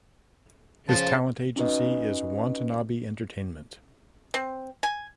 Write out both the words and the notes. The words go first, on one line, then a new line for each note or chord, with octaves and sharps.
His talent agency is Watanabe Entertainment.
C#3 F3 C5 A5
C#4 D#4 F#4 B4 D#5
C4
G#5